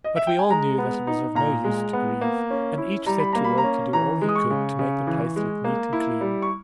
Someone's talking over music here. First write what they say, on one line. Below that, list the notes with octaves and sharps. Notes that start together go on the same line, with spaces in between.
But we all knew that it was of no use to grieve, and each set to work to do all he could to make the place look neat and clean.
D#5
E5
G5
G#5
G#3 A#5
B3
D#4
A#2 A#5
G#3
B3
A#3
C#4
E4
G3 A#5
B5
A#3 A#5
B5
A#5
C#4
E3 A#5
G#3
D#6
C#6
C#3
C#3
E3
G#3
A#3
E4
G3
C#6